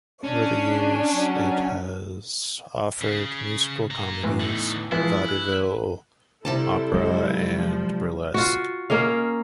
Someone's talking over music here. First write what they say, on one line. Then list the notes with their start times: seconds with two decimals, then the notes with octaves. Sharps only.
Over the years, it has offered musical comedies, vaudeville, opera, and burlesque.
0.24 C#4 D4
1.12 F#3
3.01 C#3
3.91 A#2 A#5
4.23 E2 A2 E3
4.40 D3 D#4
4.92 E3 F3 G#3 E4 F4
5.29 F#6
6.45 C3 G3 E4 A4 C5 A5
6.94 F#3 G#3
7.53 F3
8.34 F4 F#4
8.90 A#3 C#4 D#5 F5